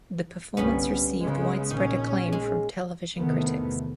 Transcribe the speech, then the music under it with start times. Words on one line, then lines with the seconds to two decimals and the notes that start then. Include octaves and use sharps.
The performance received widespread acclaim from television critics.
0.57 G1 C2 G3 B3 C#4 B5
1.21 C#3 G#3
1.71 A#1 D#3 C#4
2.33 G#3
3.18 E2 C3 D#3 A3 B3